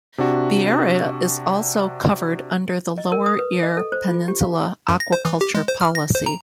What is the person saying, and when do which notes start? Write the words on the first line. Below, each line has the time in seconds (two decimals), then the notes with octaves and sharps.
The area is also covered under the "Lower Eyre Peninsula Aquaculture Policy".
0.18 C3 D4 F#4
2.98 D#5
3.12 A#4
3.26 D#6
3.39 B4
3.63 D#5
3.77 A4
3.92 C5
4.08 F4
4.28 G4
4.41 F5
4.89 F#2
5.00 A#6
5.12 C5
5.25 E3
5.41 G4
5.55 G#3
5.68 C5
5.81 F6
5.95 A#6
6.15 C5
6.26 A#5